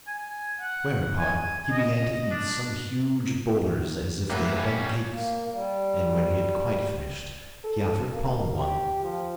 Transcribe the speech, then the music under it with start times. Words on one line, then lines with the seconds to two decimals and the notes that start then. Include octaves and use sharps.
Whereupon he began to eat some huge boulders as if they had been cakes, and when he had quite finished, he offered Paul one.
0.07 G#5
0.61 F#5
1.19 G#5
1.71 D#5
2.31 D4
4.30 C3 F#3 A3 A#3 B4
4.57 G3 C#4
5.10 A#3
5.52 G3
7.64 A4
8.14 A#3
8.57 G4
9.03 F3